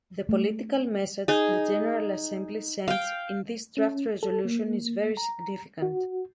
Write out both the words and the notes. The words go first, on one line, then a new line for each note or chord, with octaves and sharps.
The political message the General Assembly sends in this draft resolution is very significant.
A3
D#4 G#4
F5 G5
C#4
A4
A#3
A#5
F#4